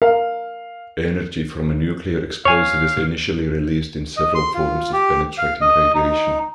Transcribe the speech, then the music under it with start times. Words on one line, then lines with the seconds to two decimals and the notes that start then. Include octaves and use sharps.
Energy from a nuclear explosive is initially released in several forms of penetrating radiation.
0.02 A#4 F5
2.45 C#5 F5 G#5
4.17 D#5
4.35 C6
4.54 F4
4.93 G4
5.38 F5
5.61 D#5
5.95 D#4